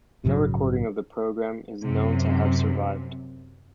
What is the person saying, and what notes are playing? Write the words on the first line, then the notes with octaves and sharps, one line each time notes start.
No recording of the program is known to have survived.
A#1 G#2 C#3 F#3
F#2 C3